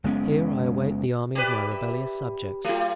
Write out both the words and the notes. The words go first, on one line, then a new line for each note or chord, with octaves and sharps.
Here I await the army of my rebellious subjects.
F#1 G#3 B3 C#4
G4 B4 D5 E5 A#5
E5
F#3 A3 F4 G4